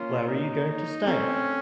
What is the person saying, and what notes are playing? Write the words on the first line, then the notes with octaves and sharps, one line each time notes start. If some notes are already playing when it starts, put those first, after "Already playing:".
Where are you going to stay?
Already playing: A#3 C#4 F4
D#4
A3 C4 C#4